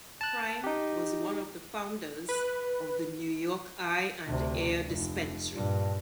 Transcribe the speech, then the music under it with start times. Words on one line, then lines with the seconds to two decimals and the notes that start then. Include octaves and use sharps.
Prime was one of the founders of the New York Eye and Ear Dispensary.
0.21 A5 F#6
0.64 D#4 G4
2.29 B4
4.26 D2 C3
4.88 F1
5.53 G2 A#2